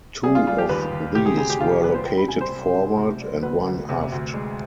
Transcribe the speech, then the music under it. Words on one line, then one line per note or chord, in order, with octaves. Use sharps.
Two of these were located forward and one aft.
G3 G#4
F4
G3 F4
G4
D#2 B4
D#2
C3 G4
G#4
D2 G#4
G4
C3 F4
G4
G3 B4
C5
C2 G5
B5
C2 G#5
C5
C2
B2
C3
G3
D2 B4
D2
C3
D2
G#3